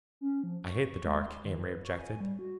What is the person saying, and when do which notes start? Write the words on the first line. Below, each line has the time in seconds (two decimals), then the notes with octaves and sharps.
"I hate the dark," Amory objected.
0.21 C#4
0.43 F3
0.66 C#6
1.05 G#3
1.26 C6
1.44 D#3
1.62 B4
1.85 C#6
1.99 G#5
2.20 G3
2.39 F#4